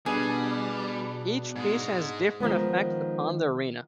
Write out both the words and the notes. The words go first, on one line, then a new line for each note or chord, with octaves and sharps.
Each Piece has differing effects upon the arena.
B2 G3 B3 D4 G#4 D5
G#2 G#3
D#3 F3 G#3 B3